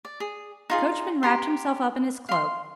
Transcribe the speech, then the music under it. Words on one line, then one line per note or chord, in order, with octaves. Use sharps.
The coachman wrapped himself up in his cloak.
D5
G#4
D#4 F4 G#4
G4 A#5 C6
F5 C6